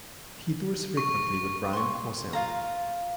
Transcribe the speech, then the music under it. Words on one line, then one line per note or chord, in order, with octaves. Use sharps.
He tours frequently with Brian Posehn.
C#6
C6 C#6
F4 F5 A#5